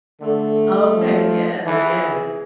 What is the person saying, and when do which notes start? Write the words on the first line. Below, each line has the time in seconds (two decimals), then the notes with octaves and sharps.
Oh, okay, yes, yes, becau
0.21 D3 A3
0.94 F3
1.66 E3 A4
1.78 G#4
1.89 F4
2.01 G#4